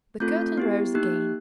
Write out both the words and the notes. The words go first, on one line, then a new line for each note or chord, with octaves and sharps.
The curtain rose again.
A3 C4 F4 A4 G6
B3 E4 G4
A#3 D#4 G4 F#6